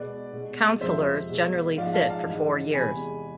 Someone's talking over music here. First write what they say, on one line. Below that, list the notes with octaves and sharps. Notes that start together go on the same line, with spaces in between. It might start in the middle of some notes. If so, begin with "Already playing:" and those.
Councillors generally sit for four years.
Already playing: B2 G#3 B4 D5
B2 G#3
F2 C3 F3 G#3 C5 E5
B2 G#3
G#2 F3 G#3 D5 F5
F5 A5
F5 A5
G#2 E3 G#3
E2 C3 G#3 G#5 B5